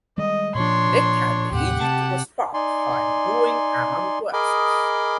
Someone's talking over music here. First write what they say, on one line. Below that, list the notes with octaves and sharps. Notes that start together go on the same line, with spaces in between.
They can be easy to spot when growing among grasses.
D#3 G3 G#3 D#5
A#2 F3 D4 C#5 C6
D#2 A2 C3 G4 F#5
C3 A5
D#4 D5 G#5 C6
G#4 A#4 D#5 G#5 B5 D6